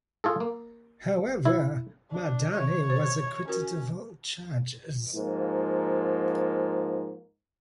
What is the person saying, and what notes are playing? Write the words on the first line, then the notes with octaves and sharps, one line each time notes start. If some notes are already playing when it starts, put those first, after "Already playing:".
However, Mahdani was acquitted of all charges.
F4 G#4 A4
A#3
E4
D4
D#3 C#5 E5
C5
C#4 F#4 A#4
G#2 F3 A#3